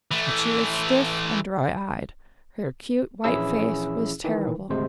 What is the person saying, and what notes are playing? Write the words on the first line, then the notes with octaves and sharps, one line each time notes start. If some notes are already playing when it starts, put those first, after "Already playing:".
But she was stiff and dry-eyed; her acute white face was terrible.
E3 A3
A#1 E3 C#4 E4 G#4 E6
D#3 E3
G#1 D2 C3 G#3 C5